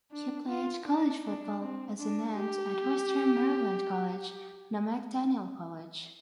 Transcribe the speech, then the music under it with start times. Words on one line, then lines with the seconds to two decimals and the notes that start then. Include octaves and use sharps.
He played college football as an end at Western Maryland College, now McDaniel College.
0.12 D4
0.49 F4
0.86 D4
1.23 D4
1.61 C4
1.98 D4
2.35 G4